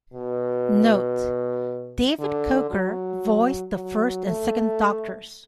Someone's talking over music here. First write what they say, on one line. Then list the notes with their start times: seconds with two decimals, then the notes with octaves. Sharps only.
Note: David Coker voiced the First and Second Doctors.
0.14 B2
2.20 D3
2.71 F#3
3.74 F#3
4.26 A3